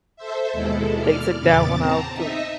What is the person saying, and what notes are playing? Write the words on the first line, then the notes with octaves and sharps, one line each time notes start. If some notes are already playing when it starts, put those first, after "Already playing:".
They took that one off too.
A4 C5 E5
D#2 B2 G#3 E4 A4
D5 F6
E2 A#2 C#3 B3 D6 A6
C4 A5 A#5
D#4 D#5 E5